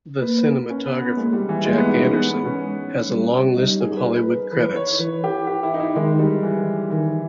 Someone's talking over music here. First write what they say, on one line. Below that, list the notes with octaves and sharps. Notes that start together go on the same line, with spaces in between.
The cinematographer, Jack Anderson, has a long list of Hollywood credits.
A#3 B4
A#4
C#4
B3
B3
G#3 A#3
G3
E3
G#3 A#3
B3
D#4
C#4
G#3 B3
B3
C#4
G#3
G3
G3 D#4
G#4
B4
A#4
B4
B4
E3 B4
C#5
E3 B4
G4
G4
E4
D#4
E4
D#3 G#3
G3
E3
D#3 E3